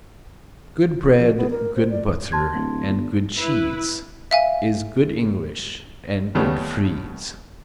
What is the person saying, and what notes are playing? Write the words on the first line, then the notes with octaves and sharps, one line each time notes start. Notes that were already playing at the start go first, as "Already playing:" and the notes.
Good bread, good butter and good cheese Is good English and good Friese.
F3
B3
A#4
C5
D5
A5 C6 G#6
D1
G1
E4 B4
E5 F5 G#5
D#2 C#3 G3 A3 B3